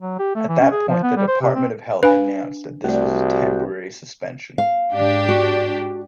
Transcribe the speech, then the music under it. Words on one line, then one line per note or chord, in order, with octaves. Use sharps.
At that point the Department of Health announced that this was a temporary suspension.
F#3
G4
A3
E3
C#4
G#4
F3
B3
G3
C5
C3
C4
D4 B4 F5 G#5
C2 A3 F#4 G4 D5
F5
G#2 D4 G4
F#4